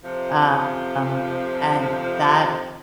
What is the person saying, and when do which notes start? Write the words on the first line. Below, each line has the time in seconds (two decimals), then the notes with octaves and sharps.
Um, and that
0.04 F2 C3 F3